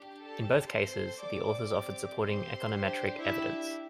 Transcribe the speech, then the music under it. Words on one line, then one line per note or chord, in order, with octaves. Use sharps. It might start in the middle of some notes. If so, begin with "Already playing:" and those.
In both cases, the authors offered supporting econometric evidence.
Already playing: D4 G4
A4 A5
C4 A4 C5 C6
D5 D6
C4 G4
C5 C6
D4 G4
E4 E5